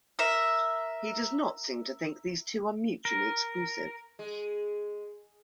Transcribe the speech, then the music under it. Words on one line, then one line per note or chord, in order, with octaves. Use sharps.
He does not seem to think these two are mutually exclusive.
A#4 E5
A#4
G#3